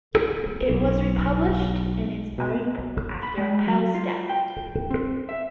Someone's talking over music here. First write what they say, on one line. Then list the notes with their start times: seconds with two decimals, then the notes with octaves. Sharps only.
It was republished in its own book after Apel's death.
0.70 B1
2.38 B2
3.23 B5
3.38 G#3
3.67 F#3
3.95 F4
4.29 G5
4.90 C4
5.29 E5